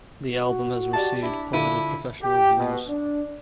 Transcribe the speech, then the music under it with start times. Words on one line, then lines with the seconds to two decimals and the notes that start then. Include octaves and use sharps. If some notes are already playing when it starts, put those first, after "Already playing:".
The album has received positive professional reviews.
0.30 F#4
0.94 G4 D5 A5
1.22 D4 E4
1.53 D3 E4 F4 D#7
2.22 G4
2.56 B2
2.88 D4